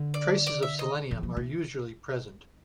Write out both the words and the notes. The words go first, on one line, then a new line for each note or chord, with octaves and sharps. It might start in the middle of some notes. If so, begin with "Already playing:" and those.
Traces of selenium are usually present.
Already playing: D3
D5
D5
E5
D#5
E3
F3
E3